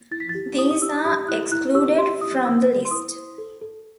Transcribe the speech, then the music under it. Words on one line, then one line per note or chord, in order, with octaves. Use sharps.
These are excluded from the list.
E4 A6
B6
A6
G4
E4 D#6
D#6
G4 E6
G4 D#6
E4 F#6
E4 F#6
G4 E6
G4 C6
E4 D#6
C5 E6
C5
C6
E4 D#6
C5
A4
A4